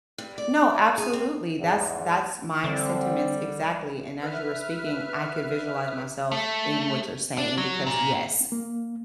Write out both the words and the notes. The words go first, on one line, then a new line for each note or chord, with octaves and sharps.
No, absolutely. That's that's my sentiments exactly. And as you were speaking, I could visualize myself in what you're saying because, yes,
G2
D5
G#4
C4
E2 G#2
D3 G3 C4
B4 E5 F6
A3
D4
F#3
A#2
A#3